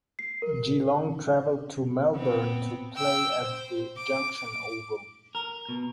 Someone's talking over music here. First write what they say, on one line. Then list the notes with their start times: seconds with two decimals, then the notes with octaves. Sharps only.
Geelong travelled to Melbourne to play at the Junction Oval.
0.19 C7
0.42 A#4
2.15 B3 C4
2.95 G5 E6
3.39 C5
3.97 D6
5.35 A#4
5.69 B2